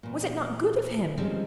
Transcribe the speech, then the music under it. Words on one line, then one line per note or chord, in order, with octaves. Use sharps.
Was it not good of him?'
E2 A#2
D#3 F3 G3 G#3 C4 C#4